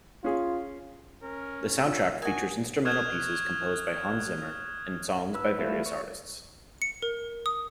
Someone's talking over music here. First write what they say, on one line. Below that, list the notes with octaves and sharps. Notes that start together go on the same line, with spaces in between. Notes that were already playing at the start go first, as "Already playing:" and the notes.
The soundtrack features instrumental pieces composed by Hans Zimmer and songs by various artists.
C#4 F4 G#4
C#4 A#4
F4 E6
D#4 F#4 A#4 G#5 D#6
C#6 D#6 F6 F#6 G#6 E7
B4 E6
G3 A3 E4 F4 B4
C#5
C#7
A#4
D#6